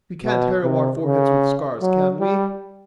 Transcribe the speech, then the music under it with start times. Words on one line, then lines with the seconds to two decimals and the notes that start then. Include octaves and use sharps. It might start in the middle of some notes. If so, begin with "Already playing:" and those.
We can't harrow our foreheads with scars, can we?
0.24 B2
0.63 C3
1.03 C#3
1.82 F#3
2.20 G3